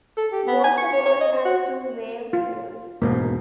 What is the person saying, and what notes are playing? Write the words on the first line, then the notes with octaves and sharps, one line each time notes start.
Water World has two wave pools.
A4
G4
B3
G#5
C#6
C#5
C#5
D#5
C4
F#4
F4
E1 G#2 B2 A#3